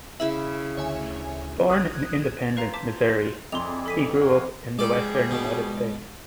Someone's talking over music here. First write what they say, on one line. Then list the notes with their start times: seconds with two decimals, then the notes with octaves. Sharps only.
Born in Independence, Missouri, he grew up in the western United States.
0.20 C#3 E4 E5 B5
0.77 D2 C#5 E5 G#5
1.70 A#1 D#6 F#6 G#6
2.57 B4 C5 F5 A#5
2.73 A5 D6 B6
3.52 F2 E4 G#4 D5 C6 F7
3.86 A4 B6 D#7
4.13 F#4 C#5 F5
4.79 F3 G3 G#3 G#4 D5
5.31 B2